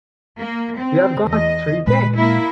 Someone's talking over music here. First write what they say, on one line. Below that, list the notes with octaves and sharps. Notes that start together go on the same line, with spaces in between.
You’ve got three day?
A#3
C4
E2 D#5
A#2 G#3 B4
A#3 E4